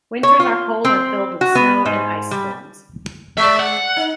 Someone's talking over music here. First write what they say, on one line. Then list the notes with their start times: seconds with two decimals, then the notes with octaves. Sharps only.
Winters are cold and filled with snow and ice storms.
0.23 C#5
0.40 F4
0.85 C4
1.41 F#4
1.55 B3
1.86 G#2
2.31 G3
3.37 G#3 D5 E5
3.59 F#5
3.96 D#4